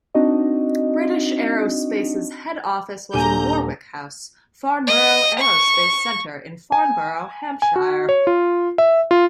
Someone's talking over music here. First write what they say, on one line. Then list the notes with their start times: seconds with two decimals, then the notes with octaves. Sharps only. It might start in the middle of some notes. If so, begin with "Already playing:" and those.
British Aerospace's head office was in Warwick House, Farnborough Aerospace Centre in Farnborough, Hampshire.
0.15 C4 D4 D#4 F#4 D#5
3.13 D#1 D3 G4 G#5 A#5 G6 D#7
4.88 D#5
5.40 C#6
6.72 G#5
7.62 G#5
7.76 F#4
8.09 C#5
8.27 F4
8.78 E5
9.11 F4